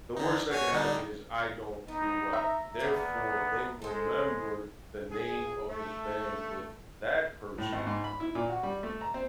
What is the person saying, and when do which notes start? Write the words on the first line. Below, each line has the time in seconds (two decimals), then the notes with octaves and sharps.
The worst that could happen is I don't do well. Therefore, they remember the name of this band with that person,
0.16 D3 D#4
0.51 F#4 C#5 G#5
0.72 D3 G3 D#4
1.88 B3 D#4
2.33 E5 A#5
2.79 D3 D#3 A#3 B3
3.82 G#3 A4 C5
5.10 G#4
5.68 A3
7.58 A2
7.73 G#1
7.87 G#2
8.04 B5
8.20 E4
8.35 A#2
8.50 F#4
8.63 G3
8.83 A3
9.01 A#5
9.14 C4